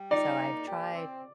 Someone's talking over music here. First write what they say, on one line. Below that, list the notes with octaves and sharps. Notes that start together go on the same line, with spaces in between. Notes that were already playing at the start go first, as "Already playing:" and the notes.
so I've tried
Already playing: G3
D#4 D5
A#3
G4
C4